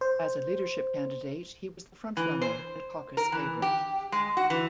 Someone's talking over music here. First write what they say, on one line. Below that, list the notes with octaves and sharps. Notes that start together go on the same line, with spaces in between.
As a leadership candidate, he was the front-runner and caucus favourite.
C5
E3
C5
A#4
E3
G4
G#3
F#4
E3